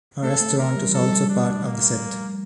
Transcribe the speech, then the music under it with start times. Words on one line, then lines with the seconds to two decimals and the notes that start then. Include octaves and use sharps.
A restaurant is also part of the set.
0.23 A3 A4
0.41 A3
0.58 A#4
0.76 G3
0.89 F3 A4
1.03 G3
1.29 D4
1.65 A#3